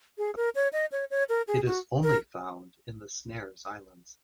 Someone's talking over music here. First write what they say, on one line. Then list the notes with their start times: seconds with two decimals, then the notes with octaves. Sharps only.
It is only found in the Snares Islands.
0.18 G#4
0.36 A#4
0.55 C#5
0.73 D#5
0.92 C#5
1.11 C#5
1.29 A#4
1.48 G#4
1.66 F#4
2.03 A#4